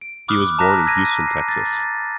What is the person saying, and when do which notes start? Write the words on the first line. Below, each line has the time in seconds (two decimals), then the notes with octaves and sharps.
He was born in Houston, Texas.
0.01 D7
0.28 B5 D6 D#6 F6 F#6
0.59 A5 A#5 F6 F#6 A#6 B6
0.86 E6 G#6 A#6 D#7
1.28 C7
1.49 A6